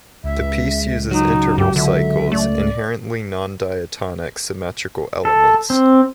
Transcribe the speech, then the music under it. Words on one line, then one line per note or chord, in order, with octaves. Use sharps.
The piece uses interval cycles, inherently non-diatonic symmetrical elements.
C#2 E5
F#3 D#4
G2 G4
D3 E5
A3 D5
A4
C4